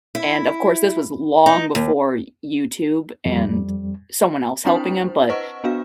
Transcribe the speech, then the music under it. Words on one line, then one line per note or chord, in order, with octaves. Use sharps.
And of course this was long before Y YouTube and someone else helping him, but
E4
D#4
D#2
F2 G3
C4 D4 E4 C5 G5
B4 C5 D#5 F#5 C#6
B3 D4 F#4 F5